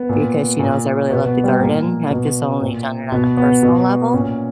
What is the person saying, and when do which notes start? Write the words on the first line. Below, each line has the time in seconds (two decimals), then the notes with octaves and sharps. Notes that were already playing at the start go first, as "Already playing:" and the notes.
because she knows I really love to garden. I've just only done it on a personal level
Already playing: B3
0.09 A#2
0.59 A#2
1.10 B2 B3
1.26 B3
1.44 G3
1.60 A#2 A#3
2.11 B2
2.61 A#2
3.12 B2 B3
3.37 B3
3.63 B2
4.13 A#2 C#4